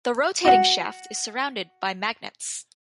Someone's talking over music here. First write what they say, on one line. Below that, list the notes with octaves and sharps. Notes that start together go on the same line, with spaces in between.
The rotating shaft is surrounded by magnets.
F#4 F#5